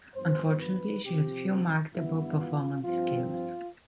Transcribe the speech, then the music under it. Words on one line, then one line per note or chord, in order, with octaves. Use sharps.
Unfortunately, she has few marketable performance skills.
G2 F3 B3 C5
B4
C3 F3 C4 G4
G2 E3 B3 E4
F4
G2 F3 C4 F4
F4